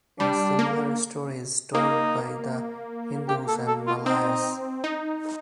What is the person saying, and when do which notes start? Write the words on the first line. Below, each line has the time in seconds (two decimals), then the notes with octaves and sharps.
A similar story is told by the Hindus and Malays.
0.20 G3 D4
0.59 A#3
1.74 A#3 D#4
3.29 G4
3.48 A4
3.68 A4
3.87 F4
4.06 C4 D#4
4.84 D#4